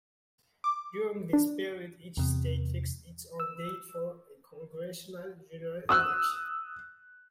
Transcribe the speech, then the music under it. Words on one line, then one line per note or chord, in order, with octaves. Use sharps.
During this period, each state fixed its own date for a congressional general election.
D6
D4
E2 C3
E6
D#6 E6 F#6